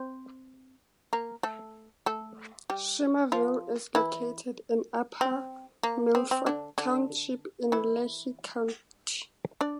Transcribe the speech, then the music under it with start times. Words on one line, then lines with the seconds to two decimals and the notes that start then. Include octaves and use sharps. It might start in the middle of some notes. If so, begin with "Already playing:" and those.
Shimerville is located in Upper Milford Township in Lehigh County.
Already playing: C4 C5
1.13 A#3 A#4
1.43 A3 A4
2.06 A3 A4
2.70 G3 G4
3.32 F3 F4
3.95 E3 E4
5.21 C4
5.83 A#3
6.15 C4
6.31 C4
6.46 D3 D4
6.78 D3 D4
7.72 E3 E4
9.61 D4 D5